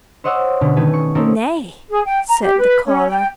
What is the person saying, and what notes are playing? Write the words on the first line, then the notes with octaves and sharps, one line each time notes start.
"Nay!" said the collar.
C5 C#5 D#5 F#5 C#6 E6
B2 D3 C#4
D#3 A3 B3 B4 G#5
C#6
A#3 C4 C#4 D#4 A4 A#4
G#4
G5
A#5
G4
B4
C#4
G5